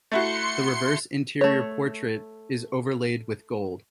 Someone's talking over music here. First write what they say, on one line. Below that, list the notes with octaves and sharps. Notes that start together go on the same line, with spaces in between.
The reverse interior portrait is overlaid with gold.
A3 E4 F#4 C6 C#7
A3 C#5